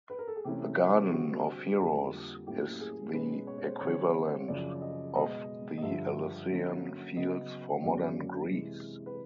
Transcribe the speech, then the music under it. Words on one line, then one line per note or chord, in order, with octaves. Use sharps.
The Garden of Heroes is the equivalent of the Elysian Fields for modern Greece.
B4
A#4
A4
G#4
C3 E3 A3 C#4 G4
D3 G3 C4 F#4
G4
F#4
F2 D3 G3 A#3 G4
A2 F#3 A#3 C#4 G4
G#4
B2 G#3 C#4 B4
C#5
C#5
C5
D3 G3 C4 C#5
F#2 C#3 F3 D5
D#5
B2 G#3 B3 D#5
D#5
G2 D3 F3 E5
D3 F#3 A#3 C#4
C#3 F#3 B3 D#5
F#2 D3 F#3 A#3 C#4 D5
C3 E3 G#3
B4